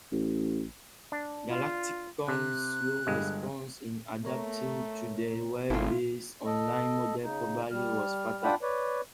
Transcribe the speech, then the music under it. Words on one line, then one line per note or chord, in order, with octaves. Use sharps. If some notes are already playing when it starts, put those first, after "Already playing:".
Galacticomm's slow response in adapting to the web-based online model probably was fatal.
A1
D4
F4
C3 F#6
G1 G2 G#3
A3 A#4 C#5 A#5
G#1 C3 C4 E4 F4 A4
A4 D#5
C#3 D#4
G3 F6
D4 F4 D5 F#5 G5 B5
B4 C#5 D5